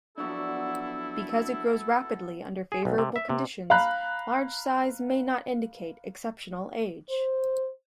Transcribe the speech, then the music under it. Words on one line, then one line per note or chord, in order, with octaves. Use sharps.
Because it grows rapidly under favorable conditions, large size may not indicate exceptional age.
F3 F#3 B3 D4 E4 F#4 A4 D5
G#4
B1
C3
E5
C3
F5 A#5 B5 F#6
C5